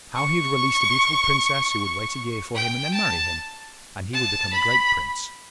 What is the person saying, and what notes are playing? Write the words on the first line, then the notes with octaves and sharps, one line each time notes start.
How he had released a beautiful Princess, who would wait a year for him and then marry him, and he would become a great Prince.
C#6
G5
A5
A5
B5